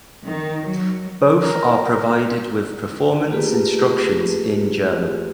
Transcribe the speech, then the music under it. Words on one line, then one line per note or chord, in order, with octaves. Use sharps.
Both are provided with performance instructions in German.
D#3
F#3
A#4
A3 A#3 F4 G4 G#4 B4